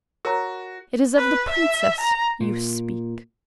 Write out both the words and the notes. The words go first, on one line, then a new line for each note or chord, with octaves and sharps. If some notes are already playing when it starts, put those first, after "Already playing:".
"It is of the princess you speak."
F#4 A#4 C#5 A#5
B4
E5
A#5
A#2